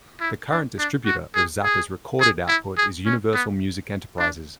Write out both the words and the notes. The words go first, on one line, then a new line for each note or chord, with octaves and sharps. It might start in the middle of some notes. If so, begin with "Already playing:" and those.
The current distributor of Zappa's recorded output is Universal Music Enterprises.
E4
D4
D4
F#4
G#4
G#4
G#4
E4
G#4
C#4
B3
D4